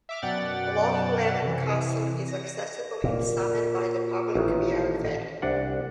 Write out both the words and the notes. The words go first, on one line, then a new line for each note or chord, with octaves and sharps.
Loch Leven Castle is accessible in summer by the public via a ferry.
E5 D6 F6
F#2 B2 D5 F#5 G5 A6
C3 E3
A#6
A#2
A1 D#3
C2 D4 F#5